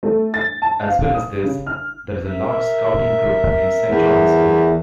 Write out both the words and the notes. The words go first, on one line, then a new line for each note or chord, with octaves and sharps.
As well as this, there is a large Scouting group in Saint Johns Wood.
A3
A6
A5
F5
D#6
C#3
F6
A#4 E5
E2